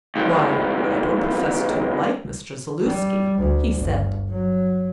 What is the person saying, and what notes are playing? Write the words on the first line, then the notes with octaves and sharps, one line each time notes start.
"Why, I don't profess to like Mr. Zaluski," he said.
C#2 G2
G3
D2
G1
F#3